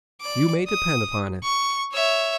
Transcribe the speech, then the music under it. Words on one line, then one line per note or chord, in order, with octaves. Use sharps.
"You may depend upon it."
D5 D6
D#6
C#6
C#5 E5